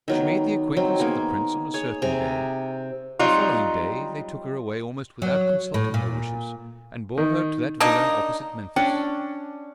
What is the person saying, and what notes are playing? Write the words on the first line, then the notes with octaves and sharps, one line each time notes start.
She made the acquaintance of the prince on a certain day; the following day they took her away almost without consulting her wishes, and bore her to that villa opposite Memphis.
D#3 F#3 B3
D#3 F#3 C4
A#3 B3 D#4 G#4
G#4 C#5
C3 G#4 A#5
F#3 G3 C4 D#4 F4
F#3
A2
A#2
D#3
A#3 D4 D#4 D#5
C#4 D4 G5